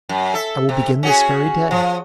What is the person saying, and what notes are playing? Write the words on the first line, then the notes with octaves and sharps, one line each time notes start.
I will begin this very day.
F#2
A4 E5
C3
C#4 F#4 G#4
F3